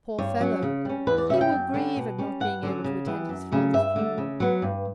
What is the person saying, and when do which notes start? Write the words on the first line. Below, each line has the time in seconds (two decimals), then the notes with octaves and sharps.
Poor fellow! he will grieve at not being able to attend his father's funeral.
0.18 G2 C#5
0.40 F#3 C#4
0.63 C#3
0.85 G3 C#4
1.07 E2 B4
1.18 D5
1.29 C#3 G3 C#4 E5
1.41 G5
1.52 F#2
1.74 D3 G3 C#4
1.96 B2
2.19 G3 C#4
2.40 G2 F#5
2.63 D3 F#3 C#4
2.84 C#3
3.06 E3 G3 B3
3.29 F#2
3.51 C#3 F#3 A3
3.73 G2 E5
3.96 D3 A3
4.18 C#3
4.40 F#3 B3
4.62 G2